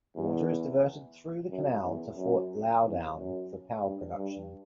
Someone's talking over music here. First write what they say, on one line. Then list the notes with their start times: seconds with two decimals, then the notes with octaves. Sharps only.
Water is diverted through the canal to Fort Loudoun for power production.
0.16 E2
1.51 F#2
1.84 E2
2.17 F#2
2.84 E2
3.17 F#2
3.83 G2
4.17 G2